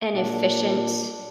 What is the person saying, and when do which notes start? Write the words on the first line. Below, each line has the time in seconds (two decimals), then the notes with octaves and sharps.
an efficient,
0.15 A#2 D4